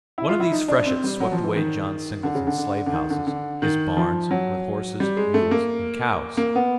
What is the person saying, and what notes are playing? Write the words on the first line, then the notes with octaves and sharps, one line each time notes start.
One of these freshets swept away John Singleton's slave houses, his barns, with horses, mules and cows.
E4
F4
E4
D#4
D4
C4
G3
F#3
F3
E3
D#3
D3
C#3
D3
D3
D3
D#3
D3
D3
D#3
F3
F#3
G3
G#3
A3
A#3
A#3
B3